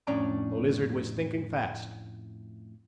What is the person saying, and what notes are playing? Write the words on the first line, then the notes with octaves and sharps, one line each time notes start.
The Lizard was thinking fast.
F2 A2 C#4 D4 D5 A#5